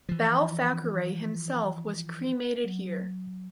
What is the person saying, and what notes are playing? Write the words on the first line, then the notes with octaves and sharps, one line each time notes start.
Bal Thackeray himself was cremated here.
E3 F3
F#3